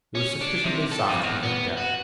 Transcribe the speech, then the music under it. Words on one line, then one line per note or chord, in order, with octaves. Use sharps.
It was sufficiently soft to prevent death.
C#4
D4
C3
A4
F2
E2
B3
F#4